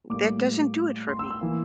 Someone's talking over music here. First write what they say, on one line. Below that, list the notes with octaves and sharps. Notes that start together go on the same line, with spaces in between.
that doesn't do it for me.
A2 G3 A#3 D6
C6
E6
E6
E3 A#3